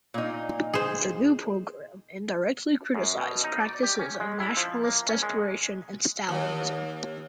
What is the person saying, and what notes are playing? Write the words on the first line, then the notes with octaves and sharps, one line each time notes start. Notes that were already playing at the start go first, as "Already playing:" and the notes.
The new program indirectly criticized practices of nationalist desperation and Stalinism.
A#2 D#4
G#4 C5
F#2
B2
D#4
D5
G4
C#4
G#3
E4
F3
A#3
C#4
G#3
D#2